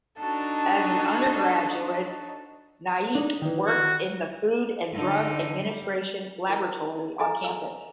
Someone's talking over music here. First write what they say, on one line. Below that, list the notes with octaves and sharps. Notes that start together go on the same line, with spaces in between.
As an undergraduate Naik worked in the Food and Drug Administration laboratory on campus.
D4 D#4 F#4 A4 A5
D4 D#4
D#3 E3
F#4
D3 D#4
G3
E4 A#4 C#6
G#4 A4 D#5 E5 G#5 A#5
E6